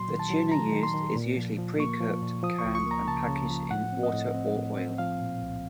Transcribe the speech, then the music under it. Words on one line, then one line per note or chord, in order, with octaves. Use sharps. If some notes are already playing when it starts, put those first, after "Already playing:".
The tuna used is usually pre-cooked, canned, and packaged in water or oil.
Already playing: A#2 F#3 C6
D#3
A5
F#3
D#3 A#5
D#3
C6
D#3
A#2
F3
F3
A#3 C#6
F3
A#2
F3 D#6
C#6
C#2
C#6
A#3 A#5
C#3 A5
C#3
F3
A2 F#5
C4
D#5
A2
C4
A2
C4
F3 F5
A#2
C2